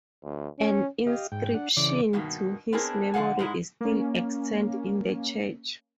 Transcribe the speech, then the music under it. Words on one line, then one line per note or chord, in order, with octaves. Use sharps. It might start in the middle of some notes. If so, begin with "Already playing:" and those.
An inscription to his memory is still extant in the church.
D2
C#4
G4 D#5 F5
G#2 G5
D4 F#5
C#3 E3 D5 D6
G2 B2 D#3 A#3
B3 C4 D4 E4 G#4 A#4
D3 F3 A4 F5 F#5 G#5
G#2 G#3 E4
A#3 C#4